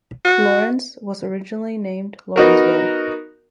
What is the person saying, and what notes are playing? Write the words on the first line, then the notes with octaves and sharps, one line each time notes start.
Laurens was originally named Laurensville.
F#4
B3 D#4 F#4 A#4